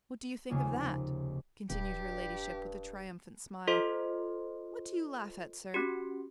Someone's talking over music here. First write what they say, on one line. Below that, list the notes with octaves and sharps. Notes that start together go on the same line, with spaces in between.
What do you think of that?' continued her ladyship, with a triumphant smile. 'What do you laugh at, sir?
F1 D#2 C#3 G#3 F4 G#4
D#1 G2 G4
F4 A4 C5 D#5 C6
C#4 F#4 G4